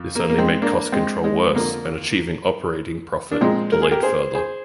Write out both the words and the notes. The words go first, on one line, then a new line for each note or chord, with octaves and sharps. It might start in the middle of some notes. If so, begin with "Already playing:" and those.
This only made cost control worse and achieving operating profit delayed further.
Already playing: F2
A#3
A#3
G#3 C4
A#3 D4
G#3 C4
G#3
F2 D3 F3 A#3
D4
A#2 F3 G#3 C4
A#4
G#4
G4 A#4
G#4 C5
G#4 C5